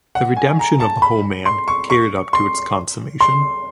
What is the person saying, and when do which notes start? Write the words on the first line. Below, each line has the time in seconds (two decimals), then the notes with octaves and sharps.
The redemption of the whole man carried up to its consummation.
0.15 F#5
0.37 G#5
0.59 A#5
0.80 A5
1.02 B5
1.46 C6
1.68 C#6
1.90 C#6
2.33 C6
3.21 C6